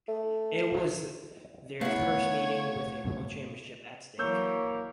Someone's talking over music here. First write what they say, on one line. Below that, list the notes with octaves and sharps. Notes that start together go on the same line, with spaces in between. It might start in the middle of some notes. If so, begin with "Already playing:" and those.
It was their first meeting with a world championship at stake.
A3
A3 B3 E4 C#5 F5
E3 F#3 A#3 C#5 E6 G6